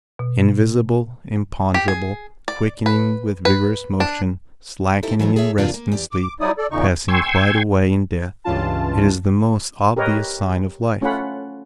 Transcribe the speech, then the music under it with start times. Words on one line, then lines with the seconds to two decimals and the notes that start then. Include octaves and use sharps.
Invisible, imponderable, quickening with vigorous motion, slackening in rest and sleep, passing quite away in death, it is the most obvious sign of life.
0.19 B2
1.74 G4
1.88 G#4
2.48 D5
2.86 B4
3.45 B4
4.00 D4
5.03 D#4 E4 G4 A4 C5
5.19 E3 F#3 A3 D#4
5.36 G#4 A4 C#5 E5
5.58 E2 C3 A#3 D4 F4 B4
5.74 A#3
5.92 E2 G4 D5
6.11 D6
6.40 F#3 G3 D#4 E4 D5 D#6
6.58 A4 D5
6.71 E2 A#2 C#3 D#4 C#6
7.08 G5 G#5 C6 C#6 E6 G#6
8.44 C#2 G2 E3 C#4 F4 A5
9.96 G4 A#4 B4 C#5 D#5
11.01 A3 C#4 F4 C#5 F#5 B5